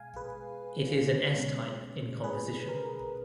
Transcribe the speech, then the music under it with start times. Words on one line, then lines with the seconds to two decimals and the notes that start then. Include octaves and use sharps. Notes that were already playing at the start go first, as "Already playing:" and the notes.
It is an S-type in composition.
Already playing: B2 G#3 F5 G#5
0.16 G#4 B4
1.35 B2 G#3 C#4
2.24 G#4 B4
2.69 A#4